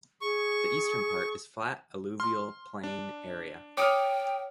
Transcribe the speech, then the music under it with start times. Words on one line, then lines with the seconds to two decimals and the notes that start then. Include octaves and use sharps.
The eastern part is flat alluvial plain area.
0.22 G#4 C#6
2.20 C6 F6
2.83 D4
3.77 C#5 G5 D6 D#6 F6 C#7